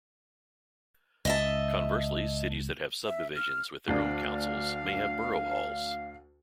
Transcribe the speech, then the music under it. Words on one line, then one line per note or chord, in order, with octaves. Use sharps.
Conversely, cities that have subdivisions with their own councils may have borough halls.
C#2 D#5 E5 A5
E5
F6
D2 D4 F5